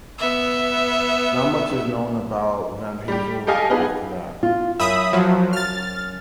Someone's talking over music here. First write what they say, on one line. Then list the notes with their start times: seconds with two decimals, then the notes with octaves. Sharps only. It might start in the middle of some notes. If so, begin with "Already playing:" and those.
Not much is known about Van Hasel after that.
0.19 B3 E5
3.08 G3 G4
3.47 G4 A4 D#5 F5 G#5
3.70 B3 D#4 F4 G4 G#4 B4
4.43 F4
4.80 F#2 E5 B5 D#6
5.13 F3 F#3
5.53 F6 A6